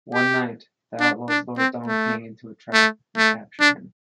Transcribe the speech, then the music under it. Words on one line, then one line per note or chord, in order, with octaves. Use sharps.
One night, the outlaws lure Dong Ping into a trap and capture him.
G4
D4
D4
C4
A3
A3
A3
D4